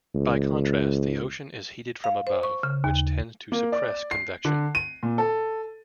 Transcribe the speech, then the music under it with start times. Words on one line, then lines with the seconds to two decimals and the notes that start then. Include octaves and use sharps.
By contrast the ocean is heated from above, which tends to suppress convection.
0.15 C#2
2.04 F5
2.27 C5
2.43 C#6
2.63 C#3
2.84 D#2
3.52 A#3
3.72 D5
4.11 C7
4.45 D3
4.75 D#7
5.03 A#2
5.18 A4